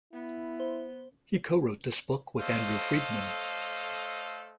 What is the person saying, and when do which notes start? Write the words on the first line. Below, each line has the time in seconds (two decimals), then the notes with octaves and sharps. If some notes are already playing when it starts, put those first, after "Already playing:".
He co-wrote this book with Andrew Friedman.
0.13 B3 E4
0.60 C5
2.39 A3 A4 C5 C#5 D#5 F5